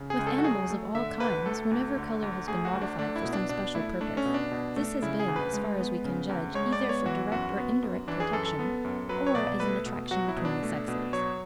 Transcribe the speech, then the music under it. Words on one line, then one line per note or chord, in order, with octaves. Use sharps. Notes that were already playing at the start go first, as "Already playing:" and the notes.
With animals of all kinds, whenever colour has been modified for some special purpose, this has been, as far as we can judge, either for direct or indirect protection, or as an attraction between the sexes.
Already playing: C#3
G#4
C#2
A4
F#4
F#3 G#4
A3
D3 E5
D2 B4
A3 A4
D2
D3
D2
A3 G#4
F#4
D2
D4
A3 D4
E4
B2
D4
B2 D4
A3 E4
A3 D4
C#4
B2
D4
B2
A3
C#3 E4
G#4
D2
B4
G#3
B3
C#3
D2
G#3 C#5
D5
B3
C#5
E3 F#4
F#2 F#4
B3
F#2
E3 D4
G#4
F#2 A4
A4
B3
F#2
F#3 B4
C#5
B2 D5
A3 B4
B2
F#3 F#4
E4
B2
D4
A3
B2
F#3 C#5